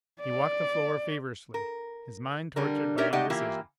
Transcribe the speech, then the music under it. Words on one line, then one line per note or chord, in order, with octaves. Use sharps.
He walked the floor feverishly, his mind tortured by indecision.
D5
A#4
D3 G3 A#4
D#4 G4 A#4 C#5 D5 E5
G#3 A3 D#4 G4 D5 F#5
E3 A#3 E4 F4 G4